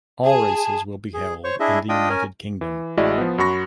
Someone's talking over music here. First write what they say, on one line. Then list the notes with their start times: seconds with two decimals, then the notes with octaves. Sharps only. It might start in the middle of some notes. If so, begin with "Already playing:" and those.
All races will be held in the United Kingdom.
0.25 G#4 A5
1.14 G#4
1.44 C5 C#5 C#6
1.60 D4 E4 G#4 D#5 E5
1.89 D4 F4 D#5 G5 D#6
2.09 C#4 A#4 G#5
2.61 E3
2.97 A1 G#3 E4 F#4 D5 D#5
3.18 F3 B3
3.38 F#2 F#4 B5 C#6 A#6